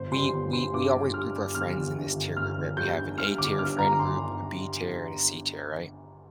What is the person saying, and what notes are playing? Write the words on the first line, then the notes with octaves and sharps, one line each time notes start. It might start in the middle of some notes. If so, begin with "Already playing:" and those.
we we we always group our friends in this tier group, right? We have an A-tier friend group, a B-tier, and a C-tier, right?
Already playing: G1 C5
G3 C6
G1
G2 C6
G2 D6
G3
G3 F6
G2
G1 F6
G1
G2
G1
G1 F6
G1
G3 G6
G2
G2 F6
G1 D6
G2 F6
G1 A#5
G1 C6